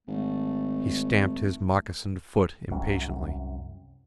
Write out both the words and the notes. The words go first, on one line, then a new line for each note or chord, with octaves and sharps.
He stamped his moccasined foot impatiently.
G#1 A3
C2 F#2